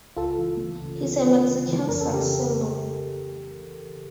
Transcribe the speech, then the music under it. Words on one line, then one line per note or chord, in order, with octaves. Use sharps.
He is a Mexican sex symbol.
C#2 F4 A4
E3
E3
C#3
E3
E3
C#3
E3
F2 A#4
A4
C#3 G4 A#4